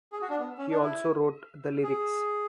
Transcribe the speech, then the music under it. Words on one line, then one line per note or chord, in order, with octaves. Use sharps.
He also wrote the lyrics.
G#4
F#4
D4
B3
C#4
D4
E4
G#4